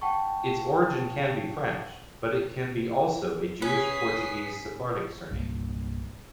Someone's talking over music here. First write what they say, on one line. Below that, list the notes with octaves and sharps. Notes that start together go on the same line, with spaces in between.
Its origin can be French, but it can be also a Jewish-Portuguese Sephardic surname.
F#5 G5 A5 C#6
C#4 B4 G#5 D#6 B6 C7
C2 G2 A#2